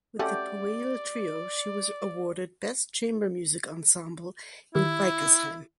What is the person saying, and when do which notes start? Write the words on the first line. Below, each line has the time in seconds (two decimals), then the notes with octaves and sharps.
With the "Puella Trio" she was awarded best chamber music ensemble in Weikersheim.
0.19 A3 C#4 F#4 G4 D5
4.75 D#3 E4 G4 F6